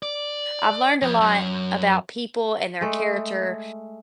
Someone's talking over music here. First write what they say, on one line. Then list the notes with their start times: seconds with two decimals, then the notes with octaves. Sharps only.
I've learned a lot about people and their character
0.02 D5
1.02 F2
1.21 F#2
2.81 G#3 A3